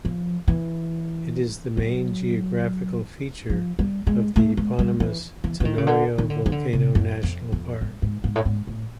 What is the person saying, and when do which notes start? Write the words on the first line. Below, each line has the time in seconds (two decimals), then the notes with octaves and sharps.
It is the main geographical feature of the eponymous Tenorio Volcano National Park.
0.05 F3
0.48 E3
1.77 F#3
3.50 F3
3.79 G3
4.07 G#3
4.36 A3
4.57 G#3
4.79 G3
5.00 E3
5.44 E3
5.60 E3
5.65 D#3
5.78 C#3
5.87 D3
6.18 D#3
6.30 D3
6.46 D#3
6.52 D3
6.73 C3
6.95 F#2
7.23 F2
7.52 F2
7.81 G2
8.02 G#2
8.24 G#2
8.36 A2
8.45 G#2
8.67 A2